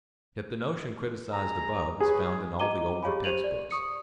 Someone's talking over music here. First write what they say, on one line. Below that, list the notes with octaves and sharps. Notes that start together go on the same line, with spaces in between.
Yet the notion criticized above is found in all the older text-books.
G#4 A#5
G#4 B4 C#5
F#4 D#5 A#5 D6 D#7 G7
G4 G#4 C#5 F5 G#5 B5
G4 C5 D#7 F7 F#7
D5
C#6 D#6 C#7